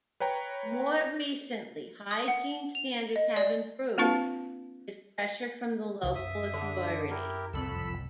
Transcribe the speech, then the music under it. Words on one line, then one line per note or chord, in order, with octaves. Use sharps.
More recently, hygiene standards have improved, with pressure from the local authorities.
B4 C#5 G5 A#5
D#6
F#5
F7
D#5
D5
A#3 C4 D4 F4 B4 F5
C2 D#3 E3
F#2 E5 D#6
D3
E4 G4 A#4
F#1 C2 F2 A2 A4 B5 E6